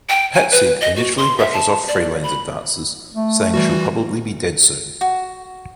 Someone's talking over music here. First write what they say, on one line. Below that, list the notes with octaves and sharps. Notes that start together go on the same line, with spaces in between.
Patzig initially brushes off Frelaine's advances, saying she'll probably be dead soon.
G5
G#5
B4
D#5
F#4
C6
E5
A5
D5
B5
A3
E3 G3 F#4
F#4